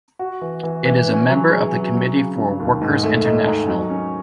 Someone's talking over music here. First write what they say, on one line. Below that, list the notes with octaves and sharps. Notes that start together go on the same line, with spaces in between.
It is a member of the Committee for a Workers' International.
F#4
E3
E3
E3
C#4
F#3
G#4
F#3
F#3
C#3
C#3
D#2
G#2
A3
D#4
D#4
F#3
C#4